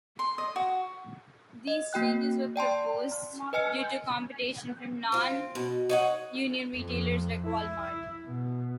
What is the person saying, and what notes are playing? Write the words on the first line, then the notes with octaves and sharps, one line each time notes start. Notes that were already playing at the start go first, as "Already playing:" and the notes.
These changes were proposed due to competition from non-union retailers like Wal Mart.
C6
D#5
F#4
D#5
A#3 F#4 G5 F#6
D5 G5 A5 C6
B4 D#5 G#5 F6 C#7
C4 F4
B2
D#4 C#5 F#5
F2
E4
B2